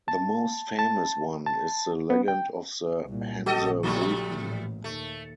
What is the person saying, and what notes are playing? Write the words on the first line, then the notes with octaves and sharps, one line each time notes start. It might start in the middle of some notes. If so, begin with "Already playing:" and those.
The most famous one is the legend of the "Hamse Wuiten".
A5
A5
A5
B3
G5
C2 A#2
A#1 C#3 F#4 A4 D#5
F3 G3 A3
A1 A#2
D#2 A3